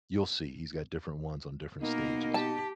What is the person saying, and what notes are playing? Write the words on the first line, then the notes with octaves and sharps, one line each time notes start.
You'll see, he's got different ones on different stages.
B2 A#3 D#4 A#4
G4 A5